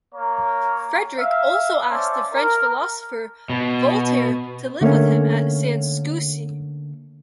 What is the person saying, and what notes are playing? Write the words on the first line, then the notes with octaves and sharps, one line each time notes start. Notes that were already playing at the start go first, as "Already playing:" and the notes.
Frederick also asked the French philosopher Voltaire to live with him at Sanssouci.
A#3 C#5 A#5
E5 F5
C#4 C5 D5 E5 A5
A#4
B2
D3 A3 A#3 C#4